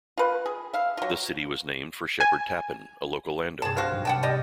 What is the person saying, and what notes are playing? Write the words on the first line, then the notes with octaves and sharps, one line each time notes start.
The city was named for Sheppard Tappen, a local landowner.
F4 B4
G#4
E5 F5
F#3 F4
G#5
G2 C3 G#4 A5
C2 F#4 C5 F5
G#2 C3 F#3
F#5 G5 A5 D6 F6
G4 D5 D#5